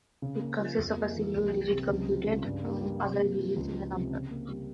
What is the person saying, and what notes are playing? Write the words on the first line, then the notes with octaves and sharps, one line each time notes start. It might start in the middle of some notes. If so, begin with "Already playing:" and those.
It consists of a single digit computed from the other digits in the number.
C#3
A#3
F3
F2
A#3
E3
C2
G3
C3
C#2
F3
C#3
G2
A#3
G3
C3
A#3
F3
C#2
F3
C3
C#3
A#3
G3